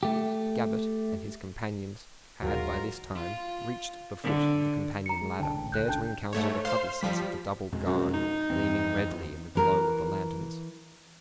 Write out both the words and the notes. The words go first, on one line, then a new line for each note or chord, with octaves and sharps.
Gabbett and his companions had by this time reached the foot of the companion ladder, there to encounter the cutlasses of the doubled guard gleaming redly in the glow of the lanterns.
A3 G4
D#1 G#2 F#3 F4 A#4
F4
D3
A#5 C#7
G#3
C2 D3 G5 A5
A1
C#2 A4 F#6 G6
G#1 C#2 D4 G5 A5 G6
G#2 A3 C#5
C5 F5 C6 C7
F3 G3 B6
F2 B2 G#3
F#2
D#4
F2 E3 C4
E3 A#4